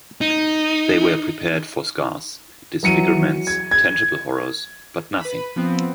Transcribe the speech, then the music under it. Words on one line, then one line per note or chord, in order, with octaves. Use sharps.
They were prepared for scars, disfigurements, tangible horrors, but nothing!
D#4
E3 F#3 C#7 D#7
G#6
G#6
B4 B5
F3 B3 C4